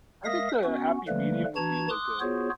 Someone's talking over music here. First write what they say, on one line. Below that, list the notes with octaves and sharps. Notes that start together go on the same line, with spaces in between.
I think the happy medium would be like, uh,
G#3 A#4 E5 F5 D#6 A#6
B3 C#4 F#4
D3 F3 G3 A3 A#3 B4
E3 D4 F#4 A5 A#5 G#6
C6 D6 D#6 F#6
B3 F4 F#4 G#4 C5 C#5